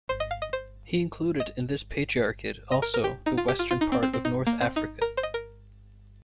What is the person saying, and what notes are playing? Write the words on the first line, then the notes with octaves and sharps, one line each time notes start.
He included in this patriarchate also the western part of North Africa.
C5
D#5
F5
D#5
C5
D#5
D#5
A#4
A#4
G4
D#4
F4
G4
F4
F4
D#4
C4
C4
C4
D#4
A#3
C4
D#4
A#4
C5
D#5
A#4